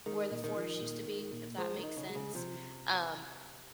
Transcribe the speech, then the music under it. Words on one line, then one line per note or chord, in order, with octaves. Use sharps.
where the forest used to be, if that makes sense. Um
D#3 G#3
A#2
D#3
F3
A#2
G#3
A#2
F3 G#3
D#3
D#4
C#3
G#3
C#3
C3 F3